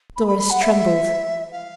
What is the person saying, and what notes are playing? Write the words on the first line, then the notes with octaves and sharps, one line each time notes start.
Doris trembled.
B5
B5
B5
F#5
E5
F5